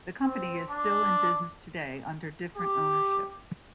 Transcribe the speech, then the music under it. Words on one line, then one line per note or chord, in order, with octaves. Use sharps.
The company is still in business today under different ownership.
C4
D4
G4